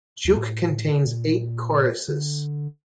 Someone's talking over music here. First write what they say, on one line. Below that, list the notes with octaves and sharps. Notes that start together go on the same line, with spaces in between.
"Juke" contains eight choruses.
D#2
A2
A#2
D3